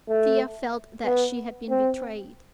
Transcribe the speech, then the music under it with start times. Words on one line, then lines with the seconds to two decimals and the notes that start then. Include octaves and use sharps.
Thea felt that she had been betrayed.
0.08 A3
1.05 B3
1.70 C4